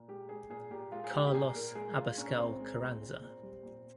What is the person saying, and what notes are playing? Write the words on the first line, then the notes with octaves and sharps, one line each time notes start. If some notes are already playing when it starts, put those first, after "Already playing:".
Carlos Abascal Carranza.
Already playing: A#2
G#3 G4
G#3 G#4
A#2 G#4
A#2 G4
G#3 F4
G#4
G#3 G4
G4
A#2 G#4
A#2 A#4
G#3 G#4
G#3 F4
A#2 C#4
A#2 C4
G#3
G#3
A#2
A#2
G3
A#2